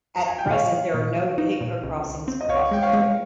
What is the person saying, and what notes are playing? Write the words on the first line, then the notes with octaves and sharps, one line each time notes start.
At present, there are no vehicular crossings across the strait.
A#5
G#5
G5
A#2 C#5 F5
F3
A#2
F3
D#4
A#2
C#2
C#2
C4
D#5
C#2 C#5 F5
G#3 G5
C#5 F5
G#3